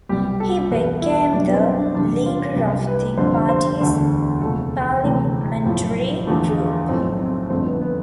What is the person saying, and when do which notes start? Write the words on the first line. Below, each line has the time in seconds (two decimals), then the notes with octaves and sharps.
He became the leader of the party's parliamentary group.
0.09 C2 B2 G3 G4
0.40 A4
0.70 E2 B2 G3 B4
1.02 E4
1.33 B1 B2 G3 D4
1.45 B3
1.53 C4
1.74 D4
1.94 E2 C3 G3 D4
2.26 F4
2.56 C2 C3 G3 G4
2.87 B4
3.18 G1 F2 D3 G3 C5
3.49 C5
3.80 E1 D2 D3 A3
4.41 E1 D2 C3 F3 A3 A4
5.03 E1 D2 C3 E3 A3
5.65 B1 A2 F3
6.27 E2 D3 F3 A3 G4
6.57 F4
6.88 B1 A2 F3 A3 C4
7.19 C4
7.50 G1 F2 D3 A3 C4
7.66 B3
7.81 B3